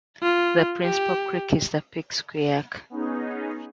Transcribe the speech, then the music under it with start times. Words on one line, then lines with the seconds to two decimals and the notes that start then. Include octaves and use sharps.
The principal creek is the Pixquiac.
0.22 F4
0.83 G4
2.90 B3 C#4 D#4 G#4